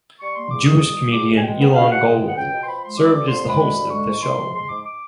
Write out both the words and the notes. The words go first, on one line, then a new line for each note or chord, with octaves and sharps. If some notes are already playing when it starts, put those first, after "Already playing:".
Jewish comedian Elon Gold served as the host of the show.
G3 C#6
A#3 C6
E2 D6
B2 D#6
G3 D#6
A#3
E2 D6
B2
G#5
G#3 G5
B3
C#2 F5
B2 F#5
G#3 G5
B3
F#5
C#2 G5
B2
C6
F3 B5
G#3 C6
D2 D6
D3 D6
F3 C6
C6
G#3 B5
D2
D3
G#3 C#6
G#2
G#2 C6
F3
G#3 C6
G#2 D6
D6